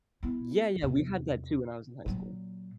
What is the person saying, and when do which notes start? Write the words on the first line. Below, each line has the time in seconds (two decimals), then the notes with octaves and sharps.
Yeah, yeah, we had that too when I was in high school.
0.23 B3 E4
0.82 E2 C3
2.06 A#2 F#3